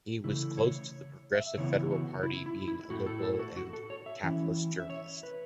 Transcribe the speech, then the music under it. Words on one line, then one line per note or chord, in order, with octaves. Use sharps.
He was close to the Progressive Federal Party being a liberal and capitalist journalist.
C#3 E3 A3 E4
C#5
E5
C#3 E3 B3 E4 C#5
F#4
E4
E4
E4
A2 A3 E4 F#4
A4
A4
F#4
F#4
A4
C#5
E5
E3 C#4 E4
E5
C#5
B4